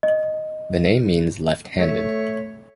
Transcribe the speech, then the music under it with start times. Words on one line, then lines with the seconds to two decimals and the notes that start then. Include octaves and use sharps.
The name means "left-handed".
0.03 D#5
1.79 A3 C#5